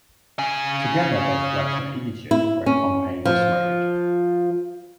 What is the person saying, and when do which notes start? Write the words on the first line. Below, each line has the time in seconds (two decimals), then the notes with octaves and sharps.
Together, they fled to Egypt where Pompey was murdered.
0.39 C#3 G#5
2.31 E4
2.66 C#4
3.25 F3